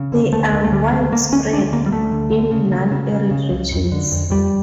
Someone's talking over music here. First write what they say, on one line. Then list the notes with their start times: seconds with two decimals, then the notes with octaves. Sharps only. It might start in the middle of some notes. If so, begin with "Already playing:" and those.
They are widespread in non-arid regions.
Already playing: C#3
0.12 D3
0.33 D2 A3
0.52 D2 A3
0.64 A3
0.72 D3 G3
0.92 D3 A3
1.12 D3 A#3
1.32 D2 C#4
1.52 D2 D4
1.72 D3 A#3
1.86 G3
1.92 D2 A3
2.12 D3
2.31 D3
2.51 C#3
2.72 C#3
2.91 C#3
3.12 C#3
3.31 C#3
3.52 C#2
3.72 F2
3.92 D3
4.12 F2
4.30 F2 G3